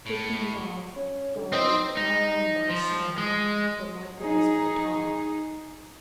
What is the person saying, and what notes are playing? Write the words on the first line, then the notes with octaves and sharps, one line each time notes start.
Dick made off, followed not only by Sam, but likewise by Tom.
A2
C#4
D3
E3 C4 C5 D#5
D#4
D#4
F3
G#3
D#4 G#4